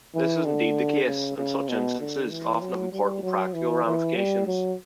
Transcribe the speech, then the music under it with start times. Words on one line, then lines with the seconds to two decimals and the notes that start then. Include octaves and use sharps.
This is indeed the case, and such instances often have important practical ramifications.
0.14 E3
0.45 D3
1.06 C#3
1.38 C#3
1.69 B2
2.00 D3
2.30 E3
2.61 F#3
2.92 G3
3.23 F#3
3.54 E3
3.85 E3
4.15 G3
4.47 F#3